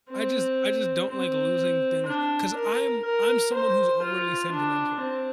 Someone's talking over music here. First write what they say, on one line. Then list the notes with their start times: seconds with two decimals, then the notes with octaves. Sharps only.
I just I just don't like losing things 'cause I'm I'm someone who's overly sentimental.
0.11 C4
1.09 C4
2.07 D4
2.56 A#4
3.05 A#4
3.54 C5
4.03 F4
4.52 D4
5.01 C4